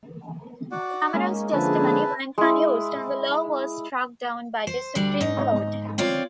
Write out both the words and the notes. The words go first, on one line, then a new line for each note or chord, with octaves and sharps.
Cameron's testimony went unused, and the law was struck down by the Supreme Court.
F#4 D5 F#5
G#3 A#3 C#4 D#4
D3 F3 E4 G#4 B4 A5
G#3 E4
C5
D2 G3 D4
G#2 D#4
C4 F4 C#5 D5